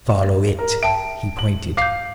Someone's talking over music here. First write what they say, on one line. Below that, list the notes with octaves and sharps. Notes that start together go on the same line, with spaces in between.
"Follow it." He pointed.
A#4
E5 G5 A5 D7
F#7
F5 D6 G6 C7